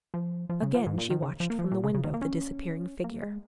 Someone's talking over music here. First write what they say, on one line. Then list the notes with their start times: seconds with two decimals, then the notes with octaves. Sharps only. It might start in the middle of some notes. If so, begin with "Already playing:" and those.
Again she watched from the window the disappearing figure.
0.14 F3
0.49 F3
0.62 C#3
0.74 F3
0.86 G#2
0.98 A#2
1.10 D#3
1.22 C#3
1.40 F3
1.50 A#3
1.59 F3
1.71 A#2
1.83 C#3
1.94 C#3
2.04 D#3
2.14 A#3
2.22 C#4
3.04 A#3
3.22 G#3